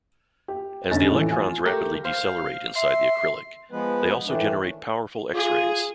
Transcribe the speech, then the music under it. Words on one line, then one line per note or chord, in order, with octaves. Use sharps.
As the electrons rapidly decelerate inside the acrylic, they also generate powerful X-rays.
G4
F1 D3 C#4 D#4 A6
A2 E3
F4 G#5
A3 G4 A#4
C5 F5
E5 C6
F3 G#3 B3 B4
A2 D#3 E3 A3 D4
F4 G#4